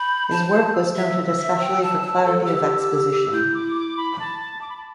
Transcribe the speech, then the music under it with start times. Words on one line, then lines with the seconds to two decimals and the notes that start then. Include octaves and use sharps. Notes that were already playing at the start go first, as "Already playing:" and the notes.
His work was noted especially for clarity of exposition.
Already playing: B5 G6
0.31 A5
0.73 E6
0.96 E5
1.39 E5
1.60 G5
1.82 A5
2.03 A5
2.25 A4
2.46 G4
3.33 E4 G6
3.54 D6
3.75 D6
3.97 B5
4.19 A5
4.61 D6
4.69 B5
4.77 A5